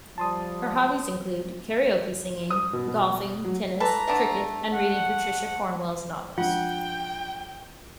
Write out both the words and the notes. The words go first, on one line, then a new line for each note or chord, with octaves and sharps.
Her hobbies include: karaoke singing, golfing, tennis, cricket, and reading Patricia Cornwell's novels.
F3 G3 A5 C6 D#6
D#6
B2
B2
F#3
E3 A4 B4 A#5
A3 B3 D4
F#5
F3 G#3 D4 F4 F#5 G5